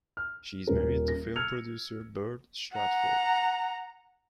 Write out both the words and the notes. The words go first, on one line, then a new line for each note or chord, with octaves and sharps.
She is married to film producer Bert Stratford.
F6
D#1 C#4 A#4
A#6
E6 F6 G#6 C#7 F7
F#5 A#5